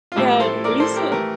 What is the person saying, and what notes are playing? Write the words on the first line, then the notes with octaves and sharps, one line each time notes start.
And recent
F4
A1 A2 G3 E4
A4 C5
A#4 D5
A4 C5
G4 A#4
E3 A3 G4 A#4